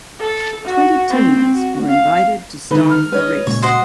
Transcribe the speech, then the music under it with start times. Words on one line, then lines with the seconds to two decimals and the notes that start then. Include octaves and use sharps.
Twenty teams were invited to start the race.
0.20 A4
0.65 F#4
1.10 C4
1.53 F#4
1.88 F5
2.71 D3 D#3 G#3 D#4 A4 B4 B5
2.90 F6
3.12 G#3 D4 B4 C#5 D#5
3.47 A#2 C#3 G#3 C#5
3.62 F#4 C5 D#5 F#5